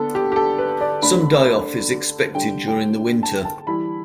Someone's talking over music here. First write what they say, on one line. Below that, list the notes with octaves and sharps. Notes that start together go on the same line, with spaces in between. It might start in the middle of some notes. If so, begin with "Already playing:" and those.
Some die-off is expected during the winter.
Already playing: D3 B3 D4 A4
G4
G4
A4
B4
D5
D3 A3 D4 B5
D3 G3 D4 G5
G5
A5
A5
E3 G3 E4 B5